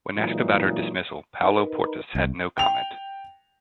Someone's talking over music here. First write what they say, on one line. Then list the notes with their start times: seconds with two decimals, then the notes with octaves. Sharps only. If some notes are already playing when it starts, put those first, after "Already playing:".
When asked about her dismissal, Paulo Portas had no comment.
0.16 A#2 E3 F#3 G#3 D#4
1.43 D#4 A#4 B4
2.15 C2
2.58 G5 F7